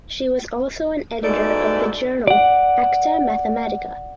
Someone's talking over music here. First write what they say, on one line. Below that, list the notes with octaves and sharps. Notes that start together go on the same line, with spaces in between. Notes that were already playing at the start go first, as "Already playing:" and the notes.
She was also an editor of the journal "Acta Mathematica".
G#2 B2 D#4 E4 A4 D5
D5 F#5